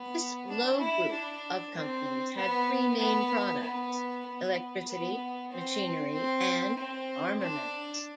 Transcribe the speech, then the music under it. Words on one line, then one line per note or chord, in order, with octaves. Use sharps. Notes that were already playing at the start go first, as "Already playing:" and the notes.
This 'Loewe Group' of companies had three main products: electricity, machinery, and armaments.
Already playing: B3
D4
E4
D4
C4
B3
B3
B3
B3
B3
C4
C4
C4
D4